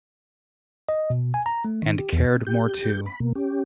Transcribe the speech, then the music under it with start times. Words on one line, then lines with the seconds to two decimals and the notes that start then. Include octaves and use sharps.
And cared more too.
0.89 D#5
1.10 B2
1.34 G#5
1.46 A#5
1.65 A3
1.83 D#3
1.99 G4
2.13 E2
2.47 G4 G6
3.06 B5
3.20 B2 A#3
3.35 C#4 G4